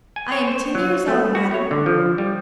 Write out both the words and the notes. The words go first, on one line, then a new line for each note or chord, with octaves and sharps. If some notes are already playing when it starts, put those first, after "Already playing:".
"I am ten years old, madame."
G#5
C#5
C5
F#3
A3
F#4
C#5
D3
F3
G3